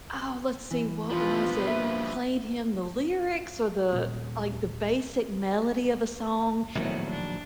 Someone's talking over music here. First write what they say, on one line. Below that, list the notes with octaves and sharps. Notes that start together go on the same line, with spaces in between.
Oh, let's see, what was it? Played him the lyrics or the like, the basic melody of a song,
E3
G2 B2 F3 F4 B4
A#3 E5
D#1
A#1 A2 D#3 F#3 B3
D4